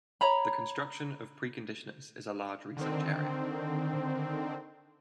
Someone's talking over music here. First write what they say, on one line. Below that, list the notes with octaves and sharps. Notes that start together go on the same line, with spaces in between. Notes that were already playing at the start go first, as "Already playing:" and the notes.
The construction of preconditioners is a large research area.
C#5 A#5 B5
D3 D#3 C4